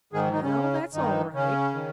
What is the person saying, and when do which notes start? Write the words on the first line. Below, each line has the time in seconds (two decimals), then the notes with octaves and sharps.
Well, that's all right.
0.13 G#2 D#3 G#3 G#4
0.33 D#3 D#4
0.43 C#3 C#4
0.94 G2 D#3 D#4
1.33 C#3 C#4
1.74 D#3